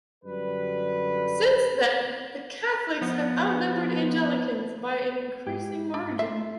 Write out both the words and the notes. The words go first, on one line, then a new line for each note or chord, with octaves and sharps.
Since then Catholics have outnumbered Anglicans by an increasing margin.
F#2 D3 G3 B4
F3 B3
G#2 G4
D4
A3 F4 E5